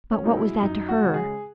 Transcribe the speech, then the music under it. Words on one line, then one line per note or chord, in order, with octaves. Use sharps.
But what was that to her?
C#4
B2 G#3 D#4
E4
F#2 D#4
F#4
C#3 G#3
G#4